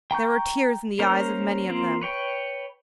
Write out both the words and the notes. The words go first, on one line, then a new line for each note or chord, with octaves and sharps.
There were tears in the eyes of many of them.
G5 A#5 C#6 G6
A#3 C#4 A#4 C5
A#3 C4 F4
B4 C#5 G5